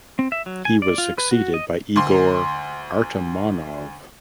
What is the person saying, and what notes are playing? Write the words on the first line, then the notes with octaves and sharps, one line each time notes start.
He was succeeded by Igor Artamonov.
C4
E5
F#3
G#5
D5
F4
B4
F#4
D#5
D2 C6